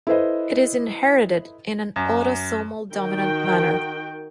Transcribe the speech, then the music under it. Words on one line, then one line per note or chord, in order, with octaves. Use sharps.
It is inherited in an autosomal dominant manner.
E4 A4 B4 C5 D#5
F#2
D#3 F#4 G5